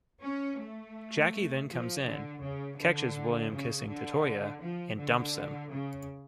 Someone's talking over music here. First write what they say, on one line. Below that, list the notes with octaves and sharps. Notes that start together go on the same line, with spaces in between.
Jackie then comes in, catches William kissing Tatoya and dumps him.
C#4
A3
F3
D3
C#3
D3
C#3
D3
F3
D3
C#3